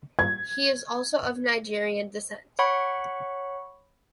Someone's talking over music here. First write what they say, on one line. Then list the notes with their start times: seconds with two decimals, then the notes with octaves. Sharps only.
He is also of Nigerian descent.
0.19 G#6
2.59 C#5 F#5 B5 C#6